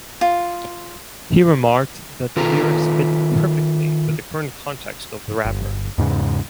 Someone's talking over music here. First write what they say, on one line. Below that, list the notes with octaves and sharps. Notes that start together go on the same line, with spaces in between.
He remarked that the lyrics fit perfectly with the current context of the rapper.
F4
D#3 F4 A4 B4 A#5
G1
E2 G#2 C#3